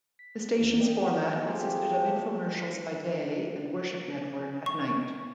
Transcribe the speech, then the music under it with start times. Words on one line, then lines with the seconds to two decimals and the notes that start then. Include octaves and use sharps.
The station's format consisted of infomercials by day and Worship Network at night.
0.19 B6
0.60 D#2 E3 B3
0.80 A#4 D5 D#5 G5
1.44 A3 C4 F4 G4 G#4
4.66 C#6